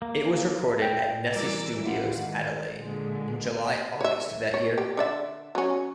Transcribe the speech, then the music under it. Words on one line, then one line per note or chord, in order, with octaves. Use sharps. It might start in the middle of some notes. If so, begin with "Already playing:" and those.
It was recorded at Nesci Studios, Adelaide, in July-August of that year.
A#3
G5
E3 G3 A#4 D5 D6 E6
E4 F4 G4 F5 F#5
G#2 D#3
A#2 D3 G#3
C#5 E5
C#5
G4
D3 D5 E5
F#3 C#4